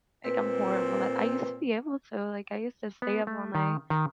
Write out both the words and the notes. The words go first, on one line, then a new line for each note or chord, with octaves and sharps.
Like, I'm horrible, like, I used to be able to, like, I used to stay up all night
A#2 C4 B4
B3
A3
D#3
D#3